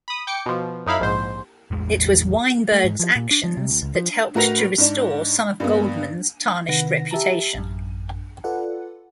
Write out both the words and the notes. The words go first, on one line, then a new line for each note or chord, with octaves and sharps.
It was Weinberg's actions that helped to restore some of Goldman's tarnished reputation.
B5 D#6
G5 D6 C#7
B2 F3
F#2 D#4 E4 F5 B5
A#1 G#2 C5
A1 E2 G#3
A3
G#2
F3
A#2
D4
F3
C3
D2
C#2
F3
A2 F#4 A#4 B4 A#6 F7
G#2 D4
G2 A#3 B3
C3 D#3 B4 F#5 A#6
G4 E5 A5 A#5
A1 F#2
F4 A4 B4 D5 F#5